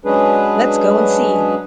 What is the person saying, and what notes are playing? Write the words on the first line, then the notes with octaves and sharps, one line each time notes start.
Let's go and see.
F#3 G#3 C#4 D4 G#4 B4